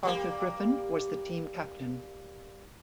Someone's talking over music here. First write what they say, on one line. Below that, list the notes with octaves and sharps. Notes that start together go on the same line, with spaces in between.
Arthur Griffen was the team captain.
G3 A#3